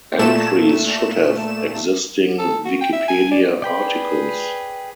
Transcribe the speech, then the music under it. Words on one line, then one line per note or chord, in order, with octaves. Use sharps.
Entries should have existing Wikipedia articles.
A#2 A3 E7
A4
F#4
G5
E5
G#5
D5
G#4 B4 D5 G5 B5